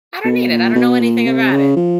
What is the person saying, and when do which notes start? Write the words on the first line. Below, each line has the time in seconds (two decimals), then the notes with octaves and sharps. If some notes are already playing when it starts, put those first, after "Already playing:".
I don't need it, I don't know anything about it.
0.25 B2
0.50 A#2
0.75 B2
1.00 A#2
1.26 C3
1.51 C#3
1.76 F3